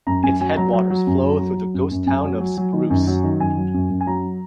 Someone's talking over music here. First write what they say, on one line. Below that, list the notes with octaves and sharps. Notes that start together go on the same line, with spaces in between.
Its headwaters flow through the ghost town of Spruce.
F#2 A#5
F#2 G#5
F#3 G#5
F#3 A#5
F#3
F#3
F#2
F#3
F#3
F#3
F#2
F#2
F#2 G#5
F#3
F#3
F#3
D#3
F#2
F#3
D#3
F#2 G#5
F#3
F#2
F#2
G#5
F#3 A#5